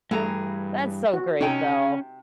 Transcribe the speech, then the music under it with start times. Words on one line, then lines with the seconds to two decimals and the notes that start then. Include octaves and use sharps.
that's so great, though.
0.11 G2 E3 A3 G#4 A#5
1.14 F#4
1.41 C3 C#4 D#4 G5 G#5